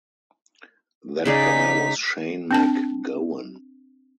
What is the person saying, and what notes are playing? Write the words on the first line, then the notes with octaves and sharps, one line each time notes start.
That guy was Shane MacGowan.
C#3 D#4 G#4 D5 B6
C4 D4 A5